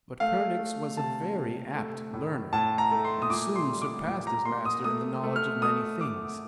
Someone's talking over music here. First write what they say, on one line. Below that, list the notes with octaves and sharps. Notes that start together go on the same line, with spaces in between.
But Perdix was a very apt learner, and soon surpassed his master in the knowledge of many things.
A3 F5
A3
C3 A5
C3
A3
A2
A2 A5
A#5
A3
C6
D#6
A#2 D6
C6
G3
D6
A#2 D6
A#5
A#3 C6
D#6
A3 D#6
A3
F6
A3 D#6
A3 D6